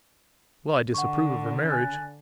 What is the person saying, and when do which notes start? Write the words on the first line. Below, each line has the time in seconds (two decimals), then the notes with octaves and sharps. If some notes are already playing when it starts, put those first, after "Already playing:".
Well, I disapprove of her marriage.
0.94 D3 F#5 C#6
1.69 G#5 F#6 A6